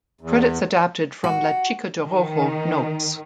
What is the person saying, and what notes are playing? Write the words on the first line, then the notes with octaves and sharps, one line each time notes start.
Credits adapted from "La Chica de Rojo" notes.
E2
F#4
D#3